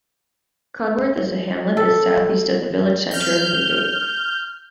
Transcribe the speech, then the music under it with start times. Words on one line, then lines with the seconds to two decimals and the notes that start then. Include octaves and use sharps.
Cudworth is a hamlet is southeast of the village centre of Newdigate.
1.77 A4
3.11 F6 G6